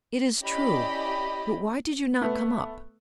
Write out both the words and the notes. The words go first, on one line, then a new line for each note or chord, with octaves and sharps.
"It is true, but why did you not come up?"
C#4 E4 G4 D5 D#5 B5
A3 B3